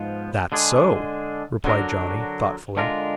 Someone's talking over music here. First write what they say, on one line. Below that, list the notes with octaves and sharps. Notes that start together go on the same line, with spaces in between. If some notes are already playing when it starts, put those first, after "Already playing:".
"That's so," replied Johnny thoughtfully.
Already playing: G#2 F3 B3 F4
D3 G#3 D4 G#4
D3 F#3 D4 F#4 A#4
D3 G#3 D4 F4 A#4